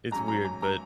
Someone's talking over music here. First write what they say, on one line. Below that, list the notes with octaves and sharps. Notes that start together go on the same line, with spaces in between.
It's weird, but,
G#2 F#3 C#4 A#5
A#5
A#5
A#5